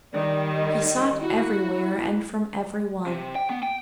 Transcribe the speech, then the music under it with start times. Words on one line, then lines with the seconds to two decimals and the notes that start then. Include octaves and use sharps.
He sought everywhere and from every one.
0.13 D#3 G3 D5
0.54 D#5
1.21 E4 F#4
3.07 C3
3.36 G5
3.50 B3
3.63 G5